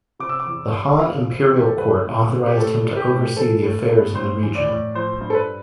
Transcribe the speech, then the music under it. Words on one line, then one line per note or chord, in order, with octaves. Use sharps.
The Han imperial court authorised him to oversee the affairs in the region.
C3 D6
E6
D6
E2
G3
E2 F5
C3
E2 G4
A4
G3 B4
A2
C4
G4
A2 A4
G3
G4
A2
E3 A4
A2
B3
A2 C5
E3
D5
A2
F3 C5
G2
A4
B4